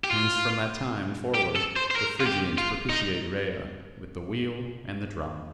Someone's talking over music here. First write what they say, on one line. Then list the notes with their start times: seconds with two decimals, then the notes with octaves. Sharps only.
Hence from that time forward the Phrygians propitiate Rhea with the wheel and the drum.
0.04 G4
0.11 F4
1.35 G4
1.56 A4
1.76 C5
1.91 C5
1.96 A#4
2.20 F4
2.27 G4
2.58 F4
2.89 D#4